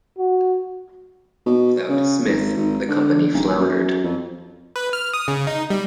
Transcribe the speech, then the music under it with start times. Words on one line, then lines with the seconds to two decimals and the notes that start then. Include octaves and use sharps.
Without Smith, the company floundered.
0.18 F#4
1.46 B2
1.89 C#3
2.25 G#1
2.57 G#1
2.88 D3
3.33 D#1
3.59 F#2
4.04 F2
4.76 B4
4.93 F6
5.14 D#6
5.28 C#3
5.47 D#4
5.70 G3